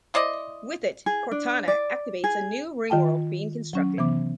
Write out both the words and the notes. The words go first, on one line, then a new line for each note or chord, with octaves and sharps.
With it, Cortana activates a new ringworld being constructed.
E4 C5 D5 D#5
G#4
D4
D5
G#4
D#3 F4 G5 A5
F#3 C#4
C3 E3 B3 D6